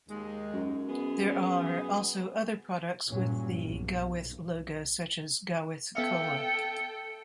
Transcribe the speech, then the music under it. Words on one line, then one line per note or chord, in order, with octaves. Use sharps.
There are also other products with the Gawith logo such as Gawith Cola.
D#2 G#3
F#2
B3 G#4
G2 A#2 F#3 C#4
B1
B3 A4 E5 F5 G5 C#7